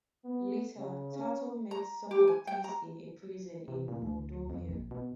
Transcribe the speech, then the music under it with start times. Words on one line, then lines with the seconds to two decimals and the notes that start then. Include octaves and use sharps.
Later, Tarto met some of these in a prison in Mordovia.
0.25 B3
0.77 C#3
1.16 C#4
1.71 A#5
2.11 G4
2.27 G#5
2.47 G5
2.64 A#5
3.68 C3
3.88 A#2
4.02 D2
4.50 F2
4.69 A#1
4.91 B2